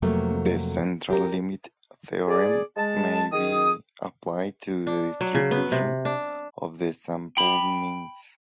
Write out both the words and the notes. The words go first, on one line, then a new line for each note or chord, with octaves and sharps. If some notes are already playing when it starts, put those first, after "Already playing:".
The central limit theorem may be applied to the distribution of the sample means.
F2 C3 F#3 A3 A#3
G4 A#4
G#4 D5
G#3 A5
D#3 G#4 D#6
D4
F#3
C#3
B3
C3
D4
G5 B5